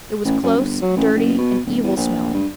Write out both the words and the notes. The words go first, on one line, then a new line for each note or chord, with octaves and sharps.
It was close, dirty, and evil smelling.
A1
F#2
G1
F#3
A1
F#1
B2
D1
E2
A#1
G2